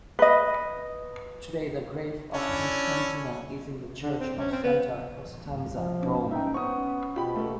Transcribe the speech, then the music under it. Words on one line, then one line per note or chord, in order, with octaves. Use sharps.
Today, the grave of Constantina is in the church of Santa Costanza, Rome.
B4 D#5
C#4 D4 E4
D3
C4
C#4
C4
B3
F3
C#4 D#4
D#1 F#2 D#4 E5 G5
B3 C#4 C5 C#6 D#6
B2 F4 G4 G5 B5
A3 A#3